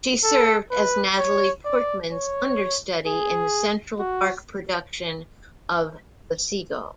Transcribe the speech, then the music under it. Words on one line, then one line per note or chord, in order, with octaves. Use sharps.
She served as Natalie Portman's understudy in the Central Park production of "The Seagull".
A4
B4
C#5
D5
C#5
G#4
F#4